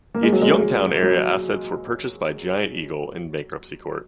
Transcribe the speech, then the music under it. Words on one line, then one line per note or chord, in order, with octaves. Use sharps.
Its Youngstown-area assets were purchased by Giant Eagle in bankruptcy court.
A#3
G#3
F#3
G#3
F#3